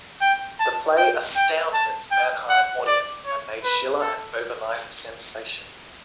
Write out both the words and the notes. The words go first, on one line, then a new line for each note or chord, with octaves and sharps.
The play astounded its Mannheim audience and made Schiller an overnight sensation.
G5
A5
G5
G5
A5
G5
F#5
D5
C#5
B4
A4